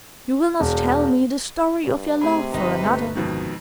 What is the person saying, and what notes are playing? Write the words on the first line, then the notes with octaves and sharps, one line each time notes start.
You will not tell me the story of your love for another!
E1
G2
C3 A3 G#4 B5
G1 D2 D#4 B4 D#5
A3 B3
F2 B2 D#3 G#3